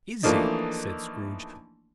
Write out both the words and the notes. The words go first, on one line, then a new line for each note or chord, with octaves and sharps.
"Is it?" said Scrooge.
E3 F3 A3 A#3 D4 D#4